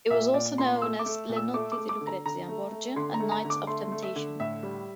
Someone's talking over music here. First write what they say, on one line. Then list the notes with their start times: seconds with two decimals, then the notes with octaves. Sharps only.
It was also known as Le notti di Lucrezia Borgia and Nights of Temptation.
0.10 A#2 E5
0.34 A#2 D5
0.58 A#2 C6
0.82 A3 E6
0.99 D6
1.06 A3
1.29 A#2
1.36 E6
1.54 A3 D6
1.72 D6
1.77 A3
1.89 D6
2.01 D3
2.07 A#5
2.25 D3 A#5
2.48 A3
2.72 A3
2.96 D3 C6
3.14 A#5
3.20 A3
3.32 A#5
3.45 D3
3.50 D6
3.67 A3 C6
3.92 A3
4.03 E5
4.16 D3
4.40 A2 E5
4.63 G3